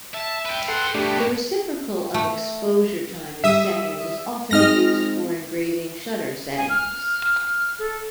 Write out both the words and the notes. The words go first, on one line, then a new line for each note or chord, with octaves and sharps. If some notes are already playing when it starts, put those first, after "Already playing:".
The reciprocal of exposure time in seconds is often used for engraving shutter settings.
E5 A5
B4 G5
A4 F#5 C6
G2 B2 A3 D4 G4
A3
G3 E5 D#6 E6
G#3 C4 D#4 D#5 F6 A#6
G#5
F6
A4